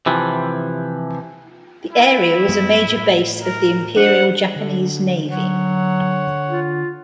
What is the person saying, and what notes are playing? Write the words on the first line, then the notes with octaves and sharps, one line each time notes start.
The area was a major base of the Imperial Japanese Navy.
C3 E3 F3
E4
F#2 G#3 B3
A2
A#4
D4 C5 F#5
D3
F#3 C#5 F#5
F4